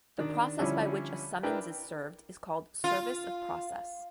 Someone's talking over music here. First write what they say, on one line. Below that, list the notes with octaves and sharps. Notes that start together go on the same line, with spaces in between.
The process by which a summons is served is called service of process.
D#3 D4
D3 F3 G3 C#4 E4
D4 E4 A#4 B4 G5
F4